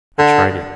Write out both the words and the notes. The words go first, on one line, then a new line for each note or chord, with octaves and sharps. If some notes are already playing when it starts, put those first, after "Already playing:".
I tried it.
D3